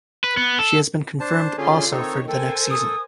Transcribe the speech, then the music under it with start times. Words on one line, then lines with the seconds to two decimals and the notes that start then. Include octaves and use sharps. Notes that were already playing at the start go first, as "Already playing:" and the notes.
She has been confirmed also for the next season.
0.24 B4
0.37 B3
0.59 A4
1.20 D4 C5 A5
1.58 D3 C#4 F4 G#4 C6
1.91 D#3 C4 D#4 A4 C#5
2.28 A4 A#4 C5 G5 G#5
2.71 D#6